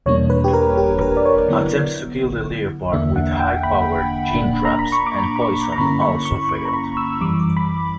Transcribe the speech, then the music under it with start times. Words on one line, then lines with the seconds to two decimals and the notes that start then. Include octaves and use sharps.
Attempts to kill the leopard with high powered gin traps and poison also failed.
0.06 E2 B2 G3 A#3 D4 C#5
0.30 B4
0.44 G4
0.53 A#4
0.77 G4
1.01 A#4
1.17 D5
1.25 C#5
1.48 D3 F#3 B3 E4
2.92 E2 D3 A#3 D4 E5
3.16 F#5
3.39 G5
3.63 B5
4.35 A#2 A#3 D4
4.65 A#5
4.79 B5
4.92 C#6
5.06 D6
5.36 B5
5.42 C#6
5.72 A#5
5.78 G2 D3 A#3 C#4 E4 B5
6.02 C#6
6.25 C#6
6.49 C#6
6.65 A#5
6.73 B5
6.97 E6
7.21 F#2 E3 G3 D6
7.57 B5